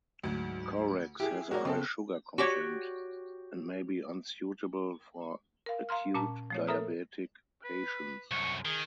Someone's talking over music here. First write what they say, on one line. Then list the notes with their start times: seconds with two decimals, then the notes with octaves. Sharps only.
Corex has a high sugar content, and may be unsuitable for acute diabetic patients.
0.23 D2 G#2 F#3
1.20 E4 G4 G#4
1.51 G#3 A#3 F#4 A#4 C#5 D5
1.65 C#3 B3 C4 A4
2.38 F#4 G4 C#5
5.66 A#4 F5
5.89 F5 A#5 C6 F6
6.14 A#2 C#4 A5 A#5 D6
6.50 F3 A3 C#5
6.67 A4 A#4 E5 A#5 D#6 F6
7.64 B4
8.31 C2 F#2 C#6
8.65 D#3 G#4